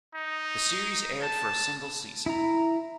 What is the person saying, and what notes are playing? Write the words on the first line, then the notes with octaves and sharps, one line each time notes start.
The series aired for a single season.
D#4
A5
E4 A#5